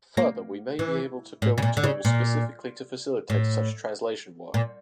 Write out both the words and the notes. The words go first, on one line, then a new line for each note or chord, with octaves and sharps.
Further, we may be able to build tools specifically to facilitate such translation work.
A#3
E3
A2
C#3
A#2
D3
C#3
A#2
A2
A#2